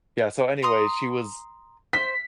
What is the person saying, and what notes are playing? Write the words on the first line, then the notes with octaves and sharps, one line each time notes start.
Yeah, so anyway, she was
A#5 C6 D#6
C5 B6